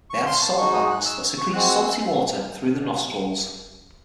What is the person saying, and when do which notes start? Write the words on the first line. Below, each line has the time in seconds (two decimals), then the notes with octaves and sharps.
They have salt glands that secrete salty water through the nostrils.
0.10 C#6
0.26 C6
0.41 A5
0.58 G#3 D#4 F#4 C#6
0.74 D#6
0.90 F#6
1.06 E6
1.38 C#6
1.53 G#3 C4 F#4 F#6
1.70 E6
1.85 E6